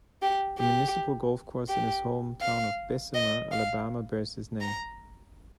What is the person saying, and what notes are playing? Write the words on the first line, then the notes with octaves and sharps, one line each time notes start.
A municipal golf course in his home town of Bessemer, Alabama, bears his name.
G4
G4
G4
F5
D#5
F5
A#5